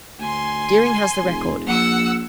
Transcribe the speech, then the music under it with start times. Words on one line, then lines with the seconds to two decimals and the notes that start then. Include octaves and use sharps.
Deering has the record.
0.19 D2 G#5 C6
1.22 E1
1.67 A#1 F#5 E6